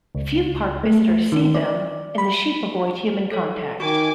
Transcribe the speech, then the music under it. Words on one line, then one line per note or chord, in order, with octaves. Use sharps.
Few park visitors see them, and the sheep avoid human contact.
C#2
A3
D#3
D5
B5
A4 C#5
D#3 F#4 G#5 C#6 D6